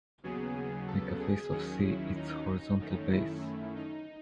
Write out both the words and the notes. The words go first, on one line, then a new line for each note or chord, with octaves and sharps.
Make a face of "C" its horizontal base.
D#2 C#3 F#3 B3 G#4
A4
G#4
D#2 D#3 F#3 C#4
E4
D#4
F#2 D#3 A3 C#4 D#4
E4
D#4